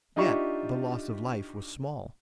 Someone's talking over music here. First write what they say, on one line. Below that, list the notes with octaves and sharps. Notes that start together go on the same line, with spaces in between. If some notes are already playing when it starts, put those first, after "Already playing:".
Yet the loss of life was small.
D4 D#4 F4 G4 E5 C#6